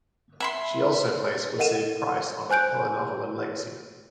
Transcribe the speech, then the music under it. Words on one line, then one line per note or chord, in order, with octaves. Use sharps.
She also plays Felicity Price on the telenovela Legacy.
E5 B5 C6
A4 A#4 D#5 F#5 D#7 E7
C5 G#5 F#6 G6 D7